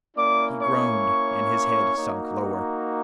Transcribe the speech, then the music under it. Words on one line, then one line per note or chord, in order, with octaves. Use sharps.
He groaned and his head sunk lower.
A#3 C#4 E4 D5 D6
C#5 C#6
A#3 D#4 F#4